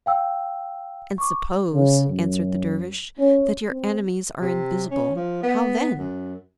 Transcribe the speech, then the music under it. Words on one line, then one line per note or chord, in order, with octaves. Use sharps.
"And suppose," answered the dervish, "that your enemies are invisible, how then?"
F5 G5 E6
C#6 D6
C#3
F#2
C#4
C4
C3
C#4
F3
B3
F#2